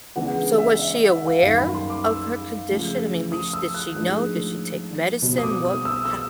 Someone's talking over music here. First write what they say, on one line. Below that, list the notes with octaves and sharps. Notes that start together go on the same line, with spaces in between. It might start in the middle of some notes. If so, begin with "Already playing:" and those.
So was she aware of her condition? I mean, at least, did she know? Did she take medicine? What ha
C#3 E3 G#3 B3 D4 F#5
E5
E5
E5
E5
F5
F#2 D#3 G3 A#3 F5
B5
C6
D6
E6
C#3 F3 A3
D#6
E6
F#6
G#2 F3 A3 D4
B2 G3 C4
D#6
D6
D#6
E6
E6